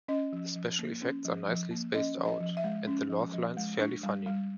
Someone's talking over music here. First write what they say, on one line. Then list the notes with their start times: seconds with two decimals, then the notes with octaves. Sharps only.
The special effects are nicely spaced out, and the laugh lines fairly funny.
0.08 C#4 D#5
0.33 F3
0.56 F3
0.79 A#3
1.02 C#4
1.25 F3
1.48 F3
1.71 A#3
1.94 C#4 D#5
2.18 F3
2.25 D#5
2.40 F3
2.57 E5
2.64 G#3
2.87 C#4
3.10 F3
3.34 F3
3.57 G#3
3.79 D4
4.03 G3
4.26 G3